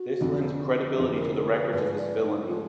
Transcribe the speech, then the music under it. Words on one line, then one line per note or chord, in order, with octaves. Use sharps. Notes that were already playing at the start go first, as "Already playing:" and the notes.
This lends credibility to the records of his villainy.
Already playing: F#4
F1 F2 D3
F1 F2 D3 G#4
A#4
A#4
B4
G#2 F3 G#3 B4
D5
D#4
F3 G#3 F4